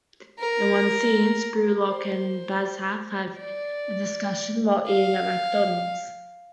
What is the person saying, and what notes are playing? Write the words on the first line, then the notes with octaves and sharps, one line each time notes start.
In one scene, Spurlock and Banzhaf have a discussion while eating at McDonald's.
A#4
C5
D5
F5